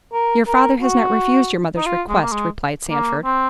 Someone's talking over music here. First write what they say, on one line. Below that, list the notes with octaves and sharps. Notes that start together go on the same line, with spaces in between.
"Your father has not refused your mother's request," replied Sandford.
A#4
A#4
F#4
D#4
F4
G#3
A#3
G#3
A#3
C4